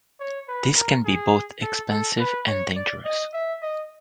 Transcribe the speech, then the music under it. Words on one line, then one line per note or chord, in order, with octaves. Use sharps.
This can be both expensive and dangerous.
C#5
B4
A#4
G#4
A4
A4
B4
C#5
D5
D#5
E5
D#5